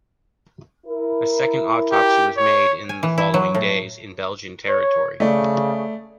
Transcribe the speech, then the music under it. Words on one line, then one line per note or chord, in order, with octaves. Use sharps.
A second autopsy was made in the following days, in Belgian territory.
E4 A#4
G4
C#5
G#5
E3
E4
F#3
A2
C#5
C#3 A3 D5